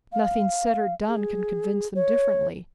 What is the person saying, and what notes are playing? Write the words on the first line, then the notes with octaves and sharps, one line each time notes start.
Nothing said or done can convince them differently.
F5
G#4
C#5